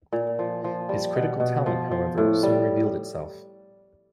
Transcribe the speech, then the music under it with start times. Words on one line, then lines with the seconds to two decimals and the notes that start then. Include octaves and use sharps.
His critical talent, however, soon revealed itself.
0.13 A#2
0.39 F3
0.64 F3
0.89 G3
1.15 B2
1.40 B2
1.66 F3
1.91 F3
2.18 A2
2.43 G3